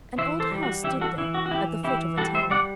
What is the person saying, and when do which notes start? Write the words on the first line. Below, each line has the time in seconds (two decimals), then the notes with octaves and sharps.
An old house stood there, at the foot of a tower.
0.18 E3 C5 E5
0.40 A4 C5
0.51 G3
0.63 F#4
0.84 E3 E4 G4
1.01 F#4 A4
1.18 E3 E4
1.34 F#4
1.46 F#4
1.51 E3 E4 G4
1.84 E3 E4 G4
2.17 G3 F#4 A4
2.35 C5 E5
2.50 G3 D5 F#5